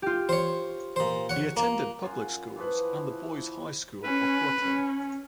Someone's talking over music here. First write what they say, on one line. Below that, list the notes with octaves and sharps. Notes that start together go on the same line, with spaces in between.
He attended public schools and the Boys High School of Brooklyn.
F4 G4
C5 C#5
A#2 C5
C#5 F#5
A#3
F#2 F4 G#5
E3 F3 B4
C#4 B4
C#4